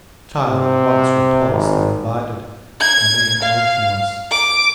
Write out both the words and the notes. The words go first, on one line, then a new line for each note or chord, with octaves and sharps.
The child, at once repulsed and invited, remained motionless.
C3
G#1
G#6
F5
D6